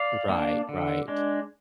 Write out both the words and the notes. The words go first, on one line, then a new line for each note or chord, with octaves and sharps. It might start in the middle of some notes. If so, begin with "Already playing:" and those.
Right, right.
Already playing: D5 F5
A#3 D4
D3
G#3 D4